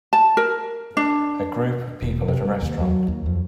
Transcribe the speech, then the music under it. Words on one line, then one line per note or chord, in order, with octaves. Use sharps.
A group of people at a restaurant.
A5
A#4
D4
E1
C3
G3
D#2
F#3
D#2
F2